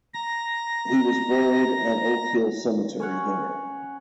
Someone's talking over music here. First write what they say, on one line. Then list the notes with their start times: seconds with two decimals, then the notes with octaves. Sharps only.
He was buried at Oak Hill Cemetery there.
0.14 A#5 A#6
3.00 C#4 C#5 F#5